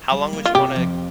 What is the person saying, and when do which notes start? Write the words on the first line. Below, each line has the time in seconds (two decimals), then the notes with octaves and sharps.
How long would you wanna
0.12 G3
0.33 A#3
0.45 F4
0.55 C3 G4
0.76 F2